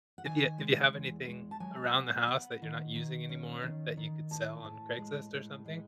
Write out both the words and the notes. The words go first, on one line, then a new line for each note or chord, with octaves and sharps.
if you if you have anything around the house that you're not using anymore that you could sell on Craigslist or something,
F#5
D#3 G#5
G#3
E2
G#3
A5
F#3 G#5
B3
B3 F#5
D#3
D#3
C#4
D#3
D#3
A2 A5
A2
G#3
A2
G#3